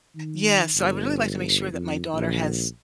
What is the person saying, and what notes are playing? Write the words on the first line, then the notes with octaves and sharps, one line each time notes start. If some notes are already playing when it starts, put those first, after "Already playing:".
yeah, so I would really like to make sure that my daughter has,
D#3
G1
F2
A#1